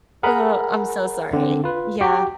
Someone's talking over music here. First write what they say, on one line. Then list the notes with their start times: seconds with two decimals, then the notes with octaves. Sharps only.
Oh, I'm so sorry. Yeah.
0.23 G#4 A#4 F#5 G#5 A#5 B5
1.33 D3 C4
1.64 F4 B4
2.01 F#4 G4 G5